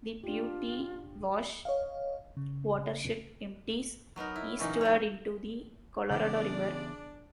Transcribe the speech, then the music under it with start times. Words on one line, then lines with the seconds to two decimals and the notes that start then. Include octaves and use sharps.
The Piute Wash Watershed empties eastward into the Colorado River.
0.24 D4 F4 G4
1.65 C#5 D#5 F5
2.37 C#3
4.16 F#3 B3 D#4 A#4
4.36 E4
4.59 A#2 C#3 E3 F#3 C#4 D#4
4.81 F#3 C#5
6.10 C#3 E3 B3 D4 G#4 D5